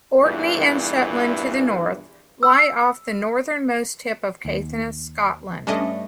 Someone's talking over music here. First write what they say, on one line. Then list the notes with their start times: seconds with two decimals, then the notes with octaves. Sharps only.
Orkney and Shetland, to the north, lie off the northernmost tip of Caithness, Scotland.
0.22 E2 G2 A#2 E3
2.43 E6
4.45 D#2
5.67 G2 A3 C#4 D4 D#5